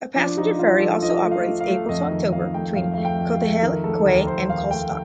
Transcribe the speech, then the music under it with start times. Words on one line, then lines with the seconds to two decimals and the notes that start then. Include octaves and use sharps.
A passenger ferry also operates April to October between Cotehele Quay and Calstock.
0.16 F3 D4
0.38 F3 D#4
0.59 F3 F4
0.80 F3 A4
1.02 F3 D#5
1.24 A3 D#5
1.31 F5
1.46 A3
1.60 F5
1.68 A3
1.89 F2 D#5
2.11 D#3
2.32 F2 F5
2.54 A3 G5
2.76 F2 F5
2.94 A3 F5
3.05 G5
3.19 F2
3.34 F5
3.41 A3
3.63 D#3 A#4
3.84 A3 A4
4.06 D#2 A#4
4.27 D#2 C5
4.49 D#2 F5
4.71 A3 G5